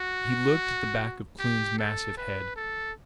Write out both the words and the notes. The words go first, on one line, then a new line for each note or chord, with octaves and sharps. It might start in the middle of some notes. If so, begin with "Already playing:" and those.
He looked at the back of Kloon's massive head.
Already playing: F#4
G4
A4
B4
A4